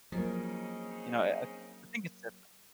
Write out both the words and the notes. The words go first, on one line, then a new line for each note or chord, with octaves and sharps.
you know, I I I think it's different.
C#3 F3 F#3 A#3 C4 D#4